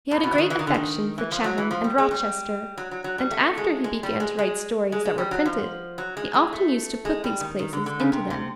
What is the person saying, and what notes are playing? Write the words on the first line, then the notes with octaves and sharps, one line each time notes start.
He had a great affection for Chatham and Rochester, and after he began to write stories that were printed, he often used to put these places into them.
A2
B2
E3
D#3
E3
D#3
D3
D#3
E3
F3
F#3
E3
F3
G3
G#3
G3
F#3
F#3
F#3
G3
A3
G#3
G#3
G3
G#3
G#3
G#3
G#3
G3
F#3
F3
F#3
G#3
G#3
A3
G#3
G3
D#3
D#3
D3
D3
C#3
C3
C3